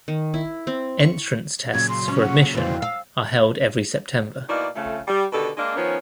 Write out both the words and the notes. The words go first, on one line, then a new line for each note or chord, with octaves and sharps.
Entrance tests for admission are held every September.
D#3
E4
C4
C#6
A#2 C#3 F#3 G#6
C6
C#4
F#5
F2 E3 C5
F5 E6
B2 A#3 D#4 E4 D5
F2 C#3 A3
G3
B2 D3 D#3 G4 A4
G#3 A#3 D4
D#3 F3 B3 C#4